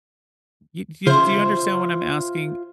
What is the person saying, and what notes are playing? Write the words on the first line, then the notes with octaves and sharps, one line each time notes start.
You do you do you understand what I'm asking?
C#3 F4 C5 E5